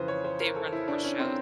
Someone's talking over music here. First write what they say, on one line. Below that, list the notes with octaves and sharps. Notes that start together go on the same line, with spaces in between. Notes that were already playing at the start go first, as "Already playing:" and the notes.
they run horse shows,
Already playing: F2 C#3 E3 B4 C5
C#5
C5
A#4
A4
E4
D4
C#4
C4